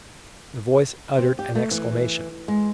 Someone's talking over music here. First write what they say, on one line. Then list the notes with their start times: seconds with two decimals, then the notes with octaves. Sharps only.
The voice uttered an exclamation.
1.19 C4
1.39 G4
1.55 A3
1.71 E3
2.48 G#3